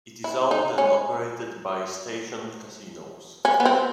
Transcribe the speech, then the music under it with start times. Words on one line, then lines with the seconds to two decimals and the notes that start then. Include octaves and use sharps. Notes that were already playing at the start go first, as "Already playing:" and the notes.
It is owned and operated by Station Casinos.
0.24 E4
0.51 D#4
0.78 C#4
3.45 C#4
3.60 B3
3.65 C4